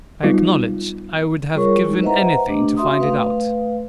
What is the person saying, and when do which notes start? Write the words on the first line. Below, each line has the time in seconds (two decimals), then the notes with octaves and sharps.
"I acknowledge I would have given anything to find it out."
0.23 F#3 G3 B3 D#4 F4
1.54 G3 F4 G#4 A#4 C#5 C#6
1.85 G#3 D#4 E4
2.02 B4 C5 D#5 E5 F#5 A#5
2.48 A3 D4 G4 D6
2.77 F#4 E5 C6 D#6
2.99 A3 B4 F5